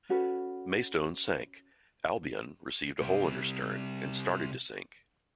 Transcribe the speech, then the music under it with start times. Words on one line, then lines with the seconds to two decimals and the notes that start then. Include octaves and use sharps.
"Maystone" sank, "Albion" received a hole in her stern and started to sink.
0.09 C#4 F#4 A4 B4
3.02 C3 G3